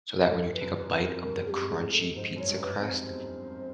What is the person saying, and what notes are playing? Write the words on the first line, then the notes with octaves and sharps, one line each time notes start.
so that when you take a bite of the crunchy pizza crust,
F#2
G2 A4
B4
F#2
B4
F2 B4
A#4
G2 A#4
F#2 G#4
G2 G4
G#2
A2 G#4
A4
G#2 C5
F#2 C#5
G2
B4
F2
C5
E2